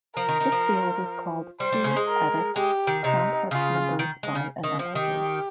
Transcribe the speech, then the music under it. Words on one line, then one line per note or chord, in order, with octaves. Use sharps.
This field is called "p"-adic complex numbers by analogy.
F3 A#4
D#3
D#3
F3
G3 C5
G3
C#3 C#4
G#3
A#4
G#3 G4
D#3
C3 D#4
C#3 F4
D#3
G#3
C#3
D#3
F3
D#3 G4